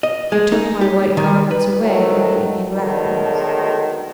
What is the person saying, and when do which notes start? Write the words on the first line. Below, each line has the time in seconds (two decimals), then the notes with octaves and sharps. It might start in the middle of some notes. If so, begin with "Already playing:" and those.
They took my white garments away and gave me black ones.
0.03 D#5
0.32 G#3
0.52 D#4
0.81 G4
1.17 D#3
1.51 B4
1.82 D2 A2 D#3 F#3 A3
2.73 B2 D3 D#3 F#3 G#3 A3